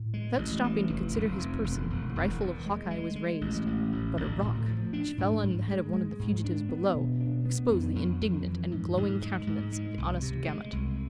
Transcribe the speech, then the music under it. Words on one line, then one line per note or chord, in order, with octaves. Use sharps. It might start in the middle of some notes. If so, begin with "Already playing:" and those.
Without stopping to consider his person, the rifle of Hawkeye was raised; but a rock, which fell on the head of one of the fugitives below, exposed the indignant and glowing countenance of the honest Gamut.
Already playing: A2
G#3
A1
E3
F1
F1
F2
E1
E1
E1
E2
G#3
G#3
G#3
A1
A1
A1
A1
A2
F3
D4
G#2
G#2
G#3
G#3
G#2
D4
B3
B2
D4
B3
F2
F2
F2
E3
G#2
G#2
G#3
G#2
G#3
C2
C3
G#3
C2